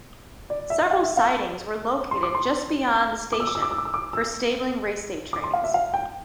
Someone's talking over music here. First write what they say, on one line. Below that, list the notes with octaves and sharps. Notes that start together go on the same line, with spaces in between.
Several sidings were located just beyond the station for stabling raceday trains.
D5
E5
F5
E5
F5
C6
D6
C6
D6
E6
D6
E6
D6
E6
D6
E6
D6
E6
D6
C6
F5
E5
F5
G5